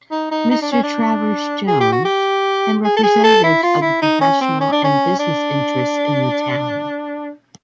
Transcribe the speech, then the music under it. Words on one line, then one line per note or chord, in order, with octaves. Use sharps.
Mr. Travers Jones, and representatives of the professional and business interests in the town.
D#4
D#4
D#4
D4
C#4
D4
G#4
G4
F#4
G4
G#4
A4
G#4
A4
E4
F4
E4
D#4
C#4
C4
C#4
D4
C#4
D4